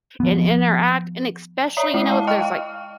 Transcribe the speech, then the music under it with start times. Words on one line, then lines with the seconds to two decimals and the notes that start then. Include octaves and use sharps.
and interact, and especially, you know, if there's like
0.20 F3 B3
1.77 C#5 D5 E5 A#5 D#6
1.94 G#3 E4 D5
2.11 F5 A5
2.27 D#5 F5 G5 C#6 F6 F#6
2.40 F5